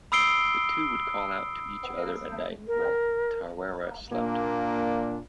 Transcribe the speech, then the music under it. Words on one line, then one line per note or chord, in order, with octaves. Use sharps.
The two would call out to each other at night while Tarawera slept.
B5 D#6 E6 C7 D7 G7
A#4
A#2 A#3 D4